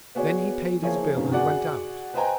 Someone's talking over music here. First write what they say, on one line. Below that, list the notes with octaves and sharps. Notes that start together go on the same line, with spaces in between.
Then he paid his bill and went out.
B3 F#4 G#4 C#5 D5
F3 A#3 E4 G#4 C#5
G1 F#2 C3 D#3
F#4 G#4 D5 F#5
B4 C5 D#5 G5 G#5 A#5